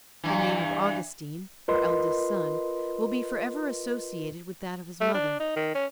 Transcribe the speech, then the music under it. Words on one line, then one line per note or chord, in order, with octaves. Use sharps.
The name of Augustine, her eldest son, will be for ever associated with that of his mother.
G2 E3
F4 A#4 B4 D#5 C6
A3
D4
D#4
D#3
C#4